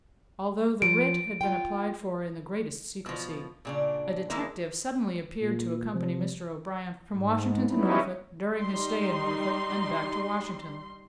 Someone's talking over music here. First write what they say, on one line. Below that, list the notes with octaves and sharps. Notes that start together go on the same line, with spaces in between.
Although the writ had been applied for in the greatest secrecy, a detective suddenly appeared to accompany Mr. O'Brien from Washington to Norfolk, during his stay in Norfolk, and back to Washington.
F3 D7
F4 G5
B2 F3
A#2 C#3 D4
D#3 E3 G#3 A#3 E4
A#2
C3 F3
G#2
F#3 G3 B3 C#4 D#4 E4
G3 D#4 C6